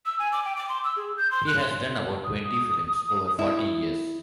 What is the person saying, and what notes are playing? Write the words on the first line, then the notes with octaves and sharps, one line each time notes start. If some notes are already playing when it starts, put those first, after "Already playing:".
He has done about twenty films over forty years.
E6
G#5
D6
G5
D6
C6
E6
G#4
G6
C6
F#6
C6
D#6
E4